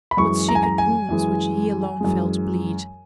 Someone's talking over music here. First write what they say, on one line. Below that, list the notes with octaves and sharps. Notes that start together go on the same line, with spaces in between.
What secret wounds which he alone felt bleed!
B5
F#2 E3 G#3 C#6
A#5
G#5
A#5
G#5
F#2 E3 G#3
F#2 E3 G#3